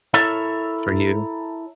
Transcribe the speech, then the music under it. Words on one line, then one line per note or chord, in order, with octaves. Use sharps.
for you.
E4 A4 A#4 C#5 E5